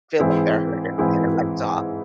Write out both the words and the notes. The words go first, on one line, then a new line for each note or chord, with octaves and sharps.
feel like they're hurt and and the lights off.
G#2 E3 C4 E4 G#4
G#2 E3 C4 E4 G#4